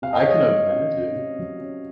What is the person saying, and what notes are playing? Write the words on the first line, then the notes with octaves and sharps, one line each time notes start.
I can imagine.
C3 F5
D#5
C3 C#5
D#5
F#3
C#4
C3
C3
F#3
C#4